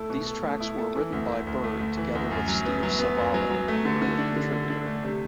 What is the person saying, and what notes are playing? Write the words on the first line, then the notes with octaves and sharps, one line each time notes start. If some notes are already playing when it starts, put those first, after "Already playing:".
These tracks were written by Bird together with Steve Savale, an early contributor.
Already playing: A3 E4 A4
B2
A4
A3
E4
A4
E3
D2
D2
D2
A3
D2
E3
D2
F#2
F#3
B3
F#3
B3
F#2
F#3
F#3
A3
D3
D3
D4
D3
D3
D4
A3
C3